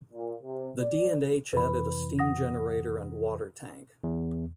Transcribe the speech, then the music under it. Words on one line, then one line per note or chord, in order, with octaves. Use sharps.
The D and H added a steam generator and water tank.
A#2
C3
D5
F2 C3 E3 B4 B5
F#5 D#6 A#6
E2